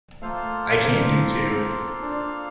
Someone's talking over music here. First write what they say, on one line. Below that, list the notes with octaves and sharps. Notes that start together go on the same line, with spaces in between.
I can't do two.
A3 A#3 F4 A4 C5 F5
C4
D4